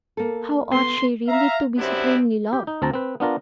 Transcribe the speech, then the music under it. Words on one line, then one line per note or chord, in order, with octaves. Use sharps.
How ought she really to be supremely loved!
A#3 A4
B3 C6
E5 F5 A#5
F#2 C3 B3 C4 D4 E4
G4
D#4
D2 C4 A5 A#5
C4 B4
B3 D4 F4 A#4